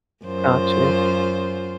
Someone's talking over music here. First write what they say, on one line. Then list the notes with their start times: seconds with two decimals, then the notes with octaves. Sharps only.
Got you.
0.25 F#2 F4 C5